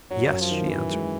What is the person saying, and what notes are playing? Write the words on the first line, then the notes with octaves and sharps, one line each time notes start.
"Yes," she answered.
F#2 F#3
F#2
F3
D#3
F#2 E3
G#3